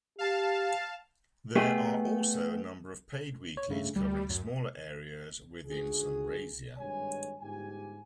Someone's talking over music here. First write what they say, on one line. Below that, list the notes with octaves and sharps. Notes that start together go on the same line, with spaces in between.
There are also a number of paid weeklies covering smaller areas within Sunraysia.
G4 F5 A5
A3 B3 G4 G#4
C#5
G2 C#3 A3
D2 G3
F#2
C#2 D3 F#4 G#4
G#1 G2 G#3 C#5 G#5
G1 G#2 G4 G#5